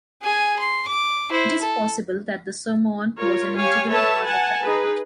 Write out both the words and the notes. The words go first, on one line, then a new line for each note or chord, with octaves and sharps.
It is possible that the sermon was an integral part of the act.
G#4 G#5
C6
D6
E4 C5
A4
F4 A#4 C#5
G4 C#5 F5 G#5
A4 B4 C#5 E5 A5
F#5 G#5 A5
D#4 G#4 B4